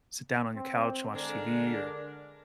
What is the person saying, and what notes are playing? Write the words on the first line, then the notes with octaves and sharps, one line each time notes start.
sit down on your couch and watch TV, or
C4
D3 G#3 D4 A#4